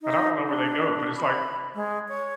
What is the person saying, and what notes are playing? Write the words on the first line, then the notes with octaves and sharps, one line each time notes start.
and I don't know where they go, but it's like
D#4
D4
B5
G#3
C#5